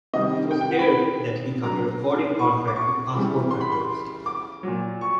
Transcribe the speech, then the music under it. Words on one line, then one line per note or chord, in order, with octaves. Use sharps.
It was there that he got a recording contract with Passport Records.
C3 D#3 G3 D#5
G5
G5
F#5
B5
D3 F#3 A#5
C#6
D6
C#6
C#3 E3 G3
C6
B5
C6
D6
A#2 F#3
C#6